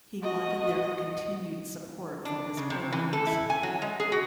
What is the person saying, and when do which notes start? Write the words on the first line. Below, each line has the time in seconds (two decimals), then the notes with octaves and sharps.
He wanted their continued support for his programs.
0.23 F#4 D#5
2.25 D4
2.57 C#3
2.70 C3
2.92 E3
3.13 A4
3.27 E4
3.50 G#5
3.63 F#3
3.82 G#3
4.00 G#4
4.12 F#4